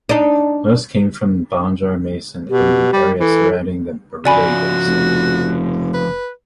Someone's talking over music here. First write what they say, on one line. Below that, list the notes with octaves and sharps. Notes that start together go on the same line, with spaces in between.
Most came from Banjarmasin in the area surrounding the Barito basin.
D4 D#4
B2 G4
G3
E3 A4
C#3 F3 F#4 D5 G#5 B5
F1
B4